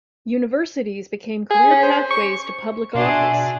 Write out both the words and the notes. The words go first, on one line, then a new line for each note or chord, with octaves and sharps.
Universities became career pathways to public office.
G#4
C#4
C5
C#6
B2 D4 F#4 G#4 E5 C6